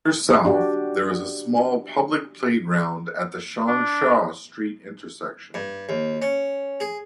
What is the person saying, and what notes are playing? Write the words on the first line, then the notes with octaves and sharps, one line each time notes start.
Further south, there is a small public playground at the Changsha Street intersection.
D4 F#4 G4
D4
G2
D#2
C#4
G#4